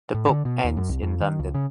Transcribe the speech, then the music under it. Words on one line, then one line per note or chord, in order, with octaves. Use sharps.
The book ends in London.
A2
D3
B2
D#2
F#2
C2
F2
D#3
C#2
C#3